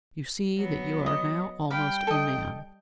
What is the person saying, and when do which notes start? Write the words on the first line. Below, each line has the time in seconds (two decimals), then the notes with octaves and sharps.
You see that you are now almost a man.
0.57 F#3 B3
1.06 D#5
1.70 G3 F5 G5 B5
2.07 A4 D#5